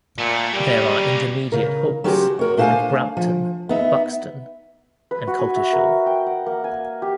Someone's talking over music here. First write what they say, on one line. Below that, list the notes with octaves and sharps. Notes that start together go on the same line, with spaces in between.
There are intermediate halts at Brampton, Buxton and Coltishall.
A#2 A3
G3 A#3 C#4
C#3 A#4
F#3 C#4 F#4 G4 A#4 C5
F#4 A#4 C#5
A3 D4 C5 E5 F5 G#5
F3
B3 D#4 E5
B4
F#4
G#5
E5
A#4
G5
F#5
A#3
G#5
G4